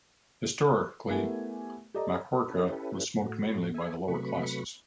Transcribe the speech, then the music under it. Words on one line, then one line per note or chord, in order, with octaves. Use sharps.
Historically, makhorka was smoked mainly by the lower classes.
A3 B3 E4 G4 A#4 G#5
G4 A4 D5 D#5 A#5
C#4 E4 G4 A4 B4
A2 A3 F#4
A4 E5 G#5
C3 F#3 A3 B4 B5 C#6